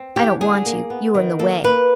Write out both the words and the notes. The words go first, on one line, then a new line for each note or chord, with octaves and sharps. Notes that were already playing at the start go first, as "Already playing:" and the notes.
"I don't want you, you are in the way."
Already playing: C4
E2 G4
D3 G#4
A#3
B3
D#3
A#3 A4
A#3 B4